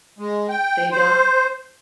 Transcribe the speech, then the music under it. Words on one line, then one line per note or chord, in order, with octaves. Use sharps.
They don't.
G#3
G5
C5